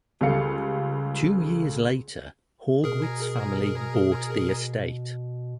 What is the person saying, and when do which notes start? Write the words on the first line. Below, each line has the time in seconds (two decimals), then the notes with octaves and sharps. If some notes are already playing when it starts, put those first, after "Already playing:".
Two years later Haugwitz family bought the estate.
0.21 C#2 G3 A3 F5 C#7
2.84 B2 G#4 A#4